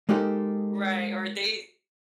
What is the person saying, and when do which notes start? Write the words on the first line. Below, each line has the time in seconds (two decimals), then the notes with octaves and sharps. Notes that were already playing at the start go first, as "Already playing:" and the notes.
Right, or they
0.09 G#3 A#3 D#4 G4 A4 C5